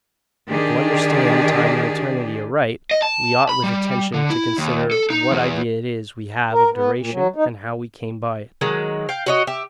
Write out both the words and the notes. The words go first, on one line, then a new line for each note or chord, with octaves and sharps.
To understand TIME and ETERNITY aright, we ought with attention to consider what idea it is we have of DURATION, and how we came by it.
D#3 D4 G4 G#4 D5
D#5
A5
B5
G3
D3
E4
D#2
A4
D#4
E2
A#4
B3
A#2
F#3
D#4
D#3 F#3 G#3
F5 G5
F#4 C#5 D#5
G4 E5